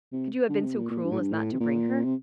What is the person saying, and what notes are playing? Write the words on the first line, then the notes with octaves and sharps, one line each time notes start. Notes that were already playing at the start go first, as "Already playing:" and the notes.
"Could you have been so cruel as not to bring her?"
C3
D3
C3
A#2
A#2
G2
A2
G2
A2
C3
A#2
C3